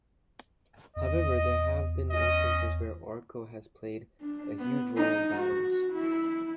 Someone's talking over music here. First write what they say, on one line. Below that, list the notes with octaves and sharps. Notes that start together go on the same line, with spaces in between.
However, there have been instances where Orko has played a huge role in battles.
E2 D#5
C#4 D#5
D4
B3
D#4
F#4
E4